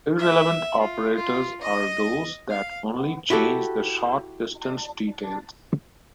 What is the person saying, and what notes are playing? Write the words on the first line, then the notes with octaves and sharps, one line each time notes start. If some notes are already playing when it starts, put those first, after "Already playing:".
Irrelevant operators are those that only change the short-distance details.
E5
F4
F4
D#5
F5
E4 F#4 G4 A4